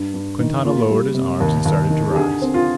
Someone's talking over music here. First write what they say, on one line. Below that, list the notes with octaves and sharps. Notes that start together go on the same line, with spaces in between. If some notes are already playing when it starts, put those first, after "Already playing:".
Quintana lowered his arms and started to rise.
Already playing: G2
G2
D#3
A#3 F4
G3
C3
D#2
D#2
D#3
G4
D3 G#4
C4
F4